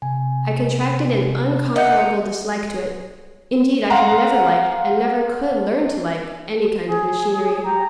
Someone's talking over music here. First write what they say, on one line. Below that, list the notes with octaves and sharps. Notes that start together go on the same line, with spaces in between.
I contracted an unconquerable dislike to it; indeed, I had never liked, and never could learn to like, any kind of machinery.
C3 G#5
D#4 E5 F#5 G6
F5 F#5 A#5 C6
G#4
G4 A#5